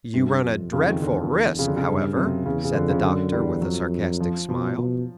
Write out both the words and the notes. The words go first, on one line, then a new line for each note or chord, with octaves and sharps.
"You run a dreadful risk, however," said the Doctor, with a sarcastic smile.
G2 C3
F2
F2 C#3
D#3
E2 D3
E2
F2 C#3
D3
C#3
G2
F#2 C3
E2 C#3
C#3
F2 D3
C#3
F#2 D3
E2 G3
F2 F#3
F3
B2 F3
B2